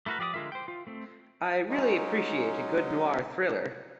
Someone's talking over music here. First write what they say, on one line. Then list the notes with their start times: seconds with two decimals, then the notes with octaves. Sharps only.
I really appreciate a good noir thriller.
0.06 A3 E4 F#4 A#4 B4
0.19 F3 G4 D5 E5 D#6
0.34 D3 G#3 F4 A#4 E5
0.52 C5 G5
0.68 F4
0.87 A3 C4
1.69 F#3 G#3 C#4 D#4